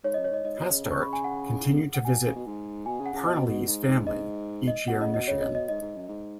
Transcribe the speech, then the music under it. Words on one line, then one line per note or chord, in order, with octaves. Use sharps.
Hastert continued to visit Parnalee's family each year in Michigan.
G#2 C#5
F#2 D#5
C#5
G#2 D#5
G#2 D#5
B2
C#3
C#3
C#6
B5
G#5
F#5
F#5
B2 G#5
C#3
B2
G#2
B2 G#5
C#3
F#5
C#3
B2 D#5
B2
G#2
G#2
G#2 D#5
D#5
B2 F#5
C#3 D#5
B2 D#5
C#3 C#5
D#5
B2
D#5
G#2 D#5
G#2
F#2
G#2